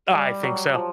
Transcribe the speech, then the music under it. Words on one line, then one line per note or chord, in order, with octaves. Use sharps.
I I think so.
G3
F#3
F3